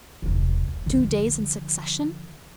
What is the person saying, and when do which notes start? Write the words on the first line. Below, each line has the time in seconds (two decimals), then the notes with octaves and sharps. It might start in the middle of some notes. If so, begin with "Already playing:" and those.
Two days in succession!
0.22 E1 C2
0.86 D3 F3